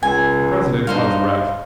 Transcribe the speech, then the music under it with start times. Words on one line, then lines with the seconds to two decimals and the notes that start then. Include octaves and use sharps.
The president was right.
0.03 C#2 G#5
0.87 G2 D#4 C5 F5